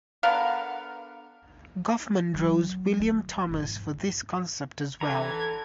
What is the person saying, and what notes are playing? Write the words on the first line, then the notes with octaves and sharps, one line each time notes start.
Goffman draws from William Thomas for this concept as well.
D3 B3 A#4 F5
F#3
D3
E2 G#2
D3 E3 A4 A#5 G#6